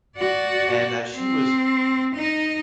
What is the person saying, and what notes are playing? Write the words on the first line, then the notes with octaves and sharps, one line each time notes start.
and, uh, she was, uh,
F#4 D5
C4
D#4 D#5